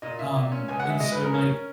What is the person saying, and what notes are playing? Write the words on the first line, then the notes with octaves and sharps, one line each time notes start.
Um, and so, like
A#2 D#5
A#2 E5
A#2
C#4
C#2 G#5
F#5
G#3 E5
G#3 D#5
C#3 B4
A#4
C#4
C#4